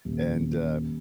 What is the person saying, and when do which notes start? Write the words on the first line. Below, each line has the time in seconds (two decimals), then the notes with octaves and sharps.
and, um
0.05 D#1